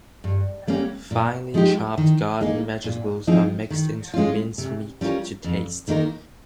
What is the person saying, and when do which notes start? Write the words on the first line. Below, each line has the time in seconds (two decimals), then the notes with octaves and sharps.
Finely chopped garden vegetables are mixed into the minced meat to taste.
0.24 G2
0.67 G3 A#3 C#4
1.11 A#2
1.54 F3 G#3 D#4 G4
1.98 D#3
2.41 A#3 D#4 G#4
2.84 A#2
3.27 F3 C4 D#4 G#4
3.70 D#3
4.14 G#3 C#4 F4
4.58 C3
5.01 G3 C#4 F4 A#4
5.44 F2
5.88 D#3 A#3 D#4 A#4